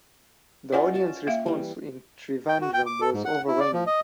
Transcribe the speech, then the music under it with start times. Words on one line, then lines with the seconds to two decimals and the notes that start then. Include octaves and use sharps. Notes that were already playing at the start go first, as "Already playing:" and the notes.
The audience response in Trivandrum was overwhelming.
0.73 C#4 F4 D5 D#5 F#5 G#5
0.95 C#4 A5
1.27 A#3 E5 F5
1.46 E3 G3
2.49 G5
2.61 F#4
2.74 G5
2.86 D6
3.01 A4
3.13 G#2
3.25 F#5
3.48 E4
3.60 D5
3.73 F3
3.87 D#5